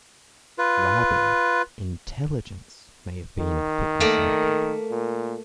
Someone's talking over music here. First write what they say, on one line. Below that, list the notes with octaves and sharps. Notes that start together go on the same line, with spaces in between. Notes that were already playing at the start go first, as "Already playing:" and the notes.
Rather, intelligence may have been a fitness indicator.
F4 B4
D#3
A3 A#3 D5
A#2